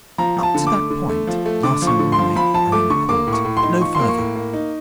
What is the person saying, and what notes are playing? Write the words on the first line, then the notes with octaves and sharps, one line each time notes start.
Up to that point, Larsan and I are in accord; but no further.
F3 A#5
F3
A5
D3
D6
A3
D3
A3
F3
A3
D3 D6
F3
C#6
D3
C6
F3
F3 B5
F3 A5
A3 D6
D3 C#6
A#3 D6
A2
C#6
A2
C6
D#4
F3 C#6
A#3 C6
C#6
A2
A#3
D#4